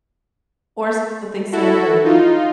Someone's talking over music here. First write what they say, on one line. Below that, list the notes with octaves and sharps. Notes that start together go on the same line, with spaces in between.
or something savory.
E4 F#4 A4
D#4 F4